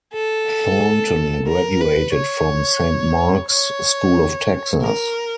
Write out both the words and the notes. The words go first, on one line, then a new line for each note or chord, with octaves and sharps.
Thornton graduated from Saint Mark's School of Texas.
A4
A#4
B4
C#5
C#5
A#4